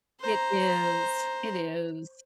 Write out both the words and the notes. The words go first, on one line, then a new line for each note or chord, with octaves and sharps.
It is. It is.
C5 A#5